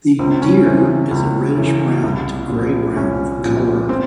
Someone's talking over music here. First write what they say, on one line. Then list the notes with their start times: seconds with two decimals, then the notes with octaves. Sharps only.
The deer is a reddish-brown to grey-brown in color.
0.19 C#2 C4
0.42 C#4
0.65 C#3 E3 C4
1.11 C#2
1.57 C#3 E3
2.03 C2
2.49 A#2 F3
2.96 C2 C#4
3.43 A#2 F3
3.89 C4